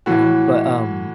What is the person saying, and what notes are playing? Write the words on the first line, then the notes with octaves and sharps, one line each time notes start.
Uh, but, um,
A2 E3 F#4